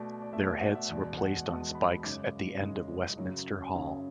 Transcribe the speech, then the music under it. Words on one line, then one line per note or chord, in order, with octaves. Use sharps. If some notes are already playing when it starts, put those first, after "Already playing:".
Their heads were placed on spikes at the end of Westminster Hall.
Already playing: B2 A3 D5
D5
B2 A3 E5
D5
F#5
E5
E2 B2 G#3 D5
F#5
E2 B2 G#3 A5
B5
F#2 C#3 G#3 D6
F#2 C#3 G#3
F#2 C#3 F#3
F#2 C#3 F#3